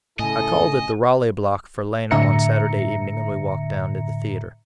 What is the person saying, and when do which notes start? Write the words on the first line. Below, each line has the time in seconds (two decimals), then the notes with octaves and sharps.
I called at the Raleigh Block for Lena on Saturday evening, and we walked down to the theater.
0.19 A2 C#3 E4 A4 D#5 G#5
2.11 A2 D3 E5 A#5 A#6 C#7